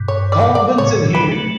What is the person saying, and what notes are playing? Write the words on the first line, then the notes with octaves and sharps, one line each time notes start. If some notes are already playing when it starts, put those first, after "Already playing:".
Call Vincent here!
Already playing: G2 B2
C#5
D5
D5
A2 C#3 C#5
B2
A2 C#3
E3 G3 B4
F#3 A3